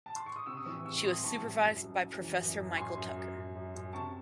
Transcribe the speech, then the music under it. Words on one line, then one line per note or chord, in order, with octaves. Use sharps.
She was supervised by Professor Michael Tucker.
A5
C6
C#6
D#6
C3 C#6 E6
D#6
E3 C#6 E6
C3 C#6 E6
C2 C6 D#6
E3 A5 C#6
C2
F#2
F#2
F#2
E3
F#2
F#2
F#2 G#5 C6
F#2
F#2
F#2
F#2
F#2
C3 A5 C#6